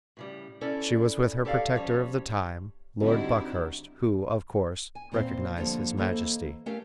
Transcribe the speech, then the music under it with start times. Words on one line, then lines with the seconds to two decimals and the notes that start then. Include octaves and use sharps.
She was with her protector of the time, Lord Buckhurst, who, of course, recognized his majesty.
0.17 A2 C#3 G3
0.61 C#4 E4 A4 C#5 D5
1.45 G4 A4 C#5 D5 F5
1.75 F3 G3 C#4 C#5
3.01 D3 G3 C4 D#4 E4 F#4
4.95 G#5
5.12 A#2 E3 C4 C5 F5
5.57 D3 F3 G3 A#3
5.97 E3 A#3 A4 C5 D#5
6.66 A3 C#4 G4 A#4 E5 F5